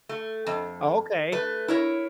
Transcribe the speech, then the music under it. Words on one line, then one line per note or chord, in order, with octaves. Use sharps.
Oh, okay.
A3
F2
A3 B4
E4 A#4 C#5